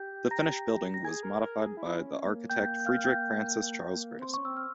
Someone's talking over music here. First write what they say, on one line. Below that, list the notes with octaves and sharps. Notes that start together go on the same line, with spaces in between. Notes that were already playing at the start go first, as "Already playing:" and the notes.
The finished building was modified by the architect Frederick Francis Charles Curtis.
Already playing: G4 G5 G6
A#5 A#6
A#6
G#4 G#5 G#6
A#4
A#4
G#4
E4
C#4
A#3
A#3 G5 G6
G6
F5 F6
G5 G6
A#3
C4 C6
C#4 C#6
C4 E6
F6